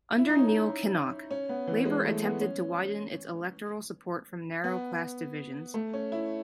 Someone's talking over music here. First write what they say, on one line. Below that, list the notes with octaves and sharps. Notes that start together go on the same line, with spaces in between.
Under Neil Kinnock, Labour attempted to widen its electoral support from narrow class divisions.
E4
D#4
C#4
D#4
C#4
B3
E3
G#3
A3
B3
C#4
B3
A3
C#4
E4